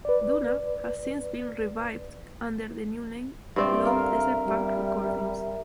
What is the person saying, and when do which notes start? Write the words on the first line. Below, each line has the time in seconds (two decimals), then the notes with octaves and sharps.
Duna has since been revived under the new name "Low Desert Punk Recordings".
0.05 B4 D5
3.56 G2 C4 D5 E5
3.85 A#4 F5
4.45 G3